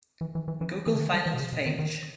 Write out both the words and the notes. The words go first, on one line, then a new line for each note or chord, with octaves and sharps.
Google Finance Page.
E3
E3
E3
E3
E3
C#3
D#3
G3
E3
B2
C#3
B2
D#3
D#3